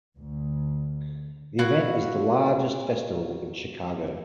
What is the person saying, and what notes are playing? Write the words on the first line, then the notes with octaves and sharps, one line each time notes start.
The event is the largest festival in Chicago.
D2
E4 F#4 F5